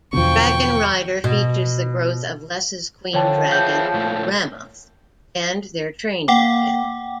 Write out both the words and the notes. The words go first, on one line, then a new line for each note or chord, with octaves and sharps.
"Dragonrider" features the growth of Lessa's queen dragon, Ramoth, and their training together.
E2 B2 D3 F3 G5 C#6
B2
D3 F3 C#5 G5 A5
G#4 E5 F#5 G6
A#2 A3
A#3 F#5 G5 D6